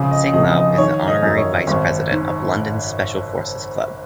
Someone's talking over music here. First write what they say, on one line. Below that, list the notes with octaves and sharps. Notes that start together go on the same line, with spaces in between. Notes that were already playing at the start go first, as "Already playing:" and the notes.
Singlaub is the honorary vice president of London's Special Forces Club.
Already playing: A#1 C#3
D#5
F2 D#5
D#5
D#3 C#5
D#5
F#2
C#5
G#1
G#2